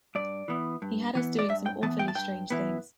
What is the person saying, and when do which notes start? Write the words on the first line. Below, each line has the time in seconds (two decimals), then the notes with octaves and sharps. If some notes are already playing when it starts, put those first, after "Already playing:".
He had us doing some awfully strange things.
0.15 G2 D5
0.48 E3 B3
0.82 G2
1.15 E3 B3
1.39 D5
1.49 G2 E5
1.66 G5
1.82 E3 B3 A5
1.99 G5
2.08 A5
2.15 G2 G5
2.50 E3 B3